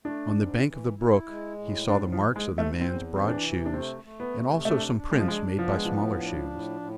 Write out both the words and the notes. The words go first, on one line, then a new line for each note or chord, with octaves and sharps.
On the bank of the brook he saw the marks of the man's broad shoes and also some prints made by smaller shoes.
A3 D4
G#2
E3
E4
G#3
A2
G#2 D4
F3
G#2
G#3
G#2
A3
E2 C4
E3 C4
D4
C3
D4
A3 C4
A3
B3
C3
A3 D4
D4
G#3
F3
G#3 D4
F3 B3
G#3
A2 F3
D4
A2
A2